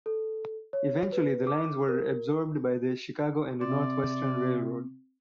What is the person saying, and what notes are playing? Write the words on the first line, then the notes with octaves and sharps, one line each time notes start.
Eventually, the lines were absorbed by the Chicago and North Western Railroad.
A4
C#5
B4
D6
A#4
C3 C4 D5